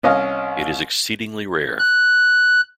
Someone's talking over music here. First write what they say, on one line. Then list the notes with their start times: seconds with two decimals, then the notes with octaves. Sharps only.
It is exceedingly rare.
0.03 C2 C#4 D#5 F5
1.79 F#6